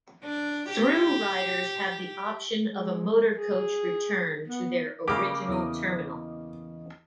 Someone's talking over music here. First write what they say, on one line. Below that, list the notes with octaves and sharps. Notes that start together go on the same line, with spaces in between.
Through riders have the option of a motor coach return to their original terminal.
D4
G4
G#3
G#4
B3
C#3 G#3 A#3 G4 B4 D6
E2 E3 D#5